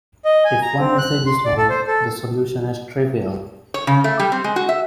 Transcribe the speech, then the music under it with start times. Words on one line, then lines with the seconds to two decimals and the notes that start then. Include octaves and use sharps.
If one message is known, the solution is trivial.
0.25 D#5
0.45 G#5
0.62 A#5
0.79 C4
0.98 F#6
1.26 C6
1.45 D5
1.57 A4
1.70 C5
1.87 A4
3.74 C#5
3.87 C#3
4.04 A3
4.19 G3
4.32 C4
4.44 G#3
4.56 F#4
4.69 E5